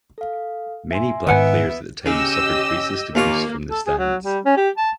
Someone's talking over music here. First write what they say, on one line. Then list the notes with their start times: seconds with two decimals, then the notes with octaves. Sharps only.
Many black players at the time suffered racist abuse from the stands.
0.18 A4 F5
0.91 E5 G#5 C6
1.27 G#2 D#3 B3 B4 E5 F#5 G#5 D7
2.06 C#3 G4 D#5 E6
3.15 D#2 A#3 F4 C#6
3.71 A4
3.86 G#4
3.98 F#3
4.22 G3
4.45 C#4
4.57 G4
4.77 A5